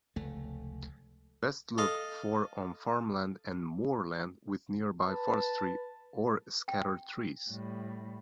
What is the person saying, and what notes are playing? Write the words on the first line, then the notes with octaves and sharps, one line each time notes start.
Best looked for on farmland and moorland with nearby forestry or scattered trees.
F1 C#2 A3
A4 D#5 F5
B4 A5
G5
A2 G3